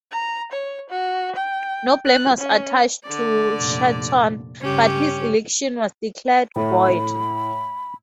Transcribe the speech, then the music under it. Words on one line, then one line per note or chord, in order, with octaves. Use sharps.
No blame was attached to Shenton, but his election was declared void.
A#5
C#5
F#4
G5
F#6
C#4
D3 D5
F1 A#2
G2 C#3 C#4 G4
A2 B5